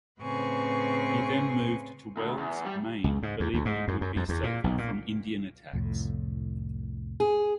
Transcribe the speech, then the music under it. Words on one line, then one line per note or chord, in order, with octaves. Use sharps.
He then moved to Wells, Maine, believing it would be safer from Indian attacks.
A2 C#3 C4 B4 G#5 C#6
D2
E2
G3
C#2
G#2
E2
D2
G#2
F#2
F#2
F2
E2
A#2
B1
A#2
C2 F2 A2
G#4